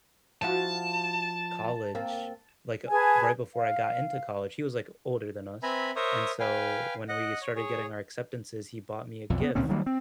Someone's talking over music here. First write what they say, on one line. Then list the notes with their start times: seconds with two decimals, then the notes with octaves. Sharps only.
college, like, uh, right before I got into college, he was, like, older than us and so when we started getting our acceptances, he bought me a gift
0.42 F3 E4 F#4 A5
1.95 A#3 C4
2.89 G#4 B4 G#5 A5
3.55 F5
5.63 C4 B4 E5 G#5 A#5 B5
5.96 A#4 C5 C#5 E5 D#6
6.40 B4 F5 G5 G#5
7.08 D#5 F#5
7.41 C#5
7.56 G#4 C#5
9.30 B1 F2
9.42 B3
9.55 C#2 A#2 C4 C#4
9.69 D#3 F#3 G3 A#3
9.86 C4